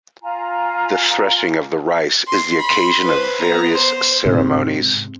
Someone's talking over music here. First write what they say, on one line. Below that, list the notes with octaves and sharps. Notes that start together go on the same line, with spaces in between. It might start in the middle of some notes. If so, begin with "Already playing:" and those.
The threshing of the rice is the occasion of various ceremonies.
F4 G#5 A#5
C6
B5 C6
B4 C5
B3 A#5
C5
G#2 C3